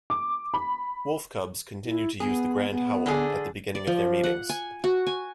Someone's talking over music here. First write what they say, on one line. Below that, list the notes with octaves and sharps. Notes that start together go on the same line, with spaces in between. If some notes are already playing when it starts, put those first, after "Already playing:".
Wolf Cubs continue to use the Grand Howl at the beginning of their meetings.
D6
B5
E4
B3 G#4
B3
D3 D4 G#4
D5
F3
F#5
G#5
F#4
G#5